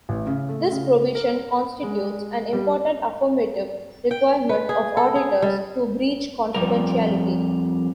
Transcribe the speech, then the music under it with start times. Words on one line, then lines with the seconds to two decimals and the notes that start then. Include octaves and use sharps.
This provision constitutes an important affirmative requirement of auditors to breach confidentiality.
0.09 A1
0.27 C#3
0.49 A3
0.72 C#3
1.15 A#4
1.83 G#3
2.53 G3
4.11 G5
4.49 B4
4.69 G#4
4.97 A4
5.16 G#4
5.42 G3
6.55 F2 C3 G3 A#4